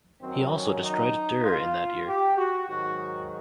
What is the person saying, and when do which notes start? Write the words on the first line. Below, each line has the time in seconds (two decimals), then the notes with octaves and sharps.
He also destroyed Der in that year.
0.21 F#2 D#3 F#3 C4
0.52 C#4
0.83 D#4
1.44 F4
2.07 G4
2.37 F#4
2.68 G#2 D#3 F#3 F#4